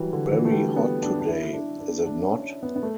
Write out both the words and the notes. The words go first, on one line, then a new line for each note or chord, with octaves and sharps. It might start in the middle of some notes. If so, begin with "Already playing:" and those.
Very hot today, is it not?
Already playing: E3 F#3 G3
D3
E3
A3
G3
B3
D4
D4
E4
D4
D4
D4
C#4
B3
B3
A3